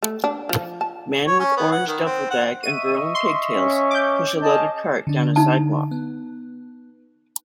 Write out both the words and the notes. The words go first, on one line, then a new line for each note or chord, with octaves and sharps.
Man with orange duffel bag and girl in pigtails push a loaded cart down a sidewalk.
A3
D4
F3
A5
C#5
C#4
B3
F#5
D#3
C4
F#5
D#5 E5 C#6 D#7
C6
C#4
D6 G6
C#4 G#4 D#5 A5
D3 D4
D#4 A5
B3